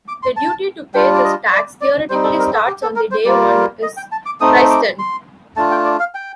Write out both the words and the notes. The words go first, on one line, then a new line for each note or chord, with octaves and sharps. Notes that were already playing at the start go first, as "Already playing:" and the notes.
The duty to pay this tax theoretically starts on the day one is christened.
D6
C6
A5
G3 D4 F4 G5
D5
D#5
D5
D5
G3 C4 D#4 C5
A4
A#4
A4
G4
A4
A#4
C5
G3 A#3 F4 D5
D#5
G5
A5
D6
A3 C4 D#4 D#6
D6
C6
A3 D4 F4 A5
G5
D5
F5
G5